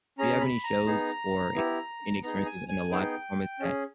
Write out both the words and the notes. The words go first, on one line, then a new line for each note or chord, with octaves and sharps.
do you have any shows, or any ex any experiences in a live performance that,
C#4 G#4 A#5
B5
A#5
B3 D#4 G#4
B3 E4 G4
B3 D#4 G#4 A#5
G#5
G#5
B3 D#4 G#4 G5
C#4 G#4